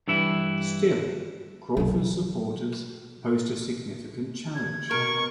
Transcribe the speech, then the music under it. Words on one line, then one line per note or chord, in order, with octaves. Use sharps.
Still, Crawford's supporters posed a significant challenge.
G2 E3 E4
B2 F#3
G#6
B2 A#4 C#6